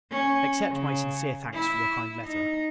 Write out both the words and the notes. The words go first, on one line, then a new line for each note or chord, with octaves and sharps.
Accept my sincere thanks for your kind letter.
C#4
C#3
E4
D#4